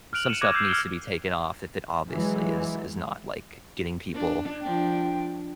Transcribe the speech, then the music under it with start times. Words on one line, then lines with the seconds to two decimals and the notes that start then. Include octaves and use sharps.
Some stuff needs to be taken off if it obviously is is not, like, getting people,
0.13 F6 F#6 D7 F7 F#7
0.28 C#7 D#7 E7 F#7
0.41 D6 F#6 G#6 A#6
0.53 E6 G6 C7 E7
0.69 F6 G#6 G7
2.10 E3 F#3 G#3
4.14 D4
4.61 F3 D4 G5